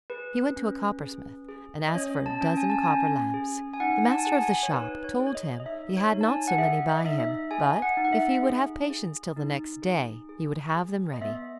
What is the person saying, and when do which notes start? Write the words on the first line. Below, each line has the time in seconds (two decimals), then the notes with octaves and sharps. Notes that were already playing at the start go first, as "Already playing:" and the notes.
He went to a coppersmith, and asked for a dozen copper lamps: the master of the shop told him he had not so many by him, but if he would have patience till the next day, he would have them ready.
0.10 G#4 B4
0.56 C#4
1.03 G#4
1.49 G#4
1.88 D#5
1.95 C#4 C#5
2.26 A5
2.41 C#4
2.57 G#5
2.70 A5
2.83 C#4 G#5
3.34 G#4
3.73 G#5
3.80 D#4 F#5
4.11 A5
4.18 G#5
4.25 G#4 F#5
4.32 G#5
4.42 G#5
4.63 C#5
4.73 D#4 B4
5.04 C#5
5.19 G#4
5.27 C#5
5.35 D#5
5.60 D#5
5.65 D#4 E5
5.97 C#5
6.12 D#4
6.21 A5
6.28 G#5
6.48 F#5
6.58 G#4 E5
6.89 E5
6.98 D#5
7.05 D#4 E5
7.20 E5
7.51 G#4 G#5
7.82 F#5
7.97 D#4
8.05 F#5
8.13 E5
8.43 G#4
8.90 G#4
9.36 D#4
9.82 G#4
10.29 G#4
10.75 G#4
11.13 D#5
11.21 B3 E5